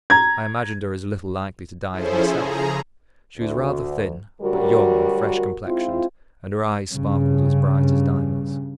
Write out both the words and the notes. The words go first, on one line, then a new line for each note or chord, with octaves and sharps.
I imagined her as little likely to die as myself. She was rather thin, but young, and fresh-complexioned, and her eyes sparkled as bright as diamonds.
A#5 G#6
F3 C#4 E4 G#4 A4 C5
C#3 G#4 A#5
D2
D2 F#3 G3 F#4 A#4
G#3 C4 E4 F4
G2 C#3